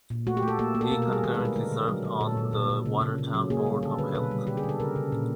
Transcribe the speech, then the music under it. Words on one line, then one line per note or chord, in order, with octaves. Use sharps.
He concurrently served on the Watertown board of health.
A#2
A3 F#4
G4
A3
A4
A#3 A4
A#3
A4
B2 A#4
A#4
G3 G#4
D#3 A4
B4
G#3
A#4
D3 A#4
D3
F#3
F#3
A#2 A4
A#2
A#2
A#2
C#3
C#3
C#3
F#3
A#3 G#4
G3
D3 A4
D3 B4
B2 B4
G3
D3 G4
G#4
D3
A4
C#3 A#4
C#3
A#2